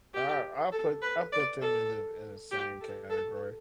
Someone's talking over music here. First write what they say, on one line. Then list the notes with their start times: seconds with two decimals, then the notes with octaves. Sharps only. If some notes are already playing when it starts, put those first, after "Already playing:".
I I'll put I'll put them in the in the same category,
0.14 G4
0.72 A4
1.02 B4
1.33 D5
1.61 A4
2.51 G4
2.81 A4
3.10 A4